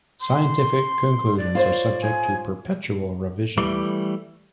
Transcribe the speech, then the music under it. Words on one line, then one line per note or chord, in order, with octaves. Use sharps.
Scientific conclusions are subject to perpetual revision.
C6
D5
F4 C5 C#5
G#5
E3 G3 A3 D6